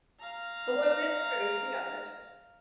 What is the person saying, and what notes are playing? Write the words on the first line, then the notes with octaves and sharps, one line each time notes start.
Oh well, that's true, yeah, that's tr
F5 A#5